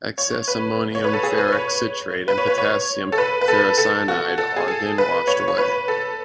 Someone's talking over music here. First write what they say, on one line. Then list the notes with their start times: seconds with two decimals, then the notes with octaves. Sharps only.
Excess ammonium ferric citrate and potassium ferricyanide are then washed away.
0.18 C#5
0.48 B4
0.95 C#5
1.04 B4
1.13 A4
1.23 G#4
1.38 B4
1.48 B4
1.52 C#5
2.28 B4
2.38 C#5
2.47 B4
2.58 C#5
3.12 A4
3.18 B4
3.41 B4
3.48 A4
3.78 A4
4.08 F#4
4.38 A4
4.56 G#4
4.68 A4
4.98 B4
5.27 C#5
5.48 C#5
5.58 B4
5.88 A4